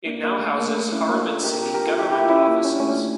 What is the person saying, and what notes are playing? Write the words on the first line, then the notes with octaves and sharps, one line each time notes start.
It now houses Harriman city government offices.
A#3 D4
A#3
A3
A#3
A3
A#3
C#4 E4
A#3 D4
F4 A4
G4 A#4
G4 A#4
G4 A#4
F4 A4
E4 G4
E4 G4
F4
C#4 E4
A#3
C#4
D4
A3 C#4